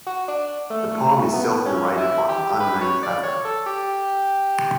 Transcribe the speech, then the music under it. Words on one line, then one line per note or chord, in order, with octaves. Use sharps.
The poem is self-narrated by an unnamed traveller.
F#4
D4
A3
A3
A3
B3
C#4
E4
G4
B4
C#5
D5
C#5
A4
G4